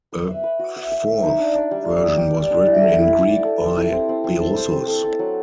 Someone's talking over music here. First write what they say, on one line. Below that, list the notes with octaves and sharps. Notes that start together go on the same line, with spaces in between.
A fourth version was written in Greek by Berossus.
B4
E5
B4
F#4
E5
E5
E5
D#4
D4
D4
G3
A#3
G4
G4
G3
D4
E4
A4
E4
A4
D5
A4
A4
E4
C4
C4
C4
A4
C5
C4
A4
A4
F#3